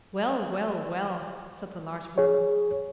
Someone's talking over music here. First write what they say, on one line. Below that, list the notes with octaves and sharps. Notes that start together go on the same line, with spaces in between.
"Well, well, well!" said the large woman.
G#4 C#5